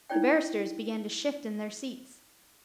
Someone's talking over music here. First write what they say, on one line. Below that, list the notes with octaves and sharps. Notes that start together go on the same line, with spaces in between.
The barristers began to shift in their seats.
D#4 E4 C#5 D5 G5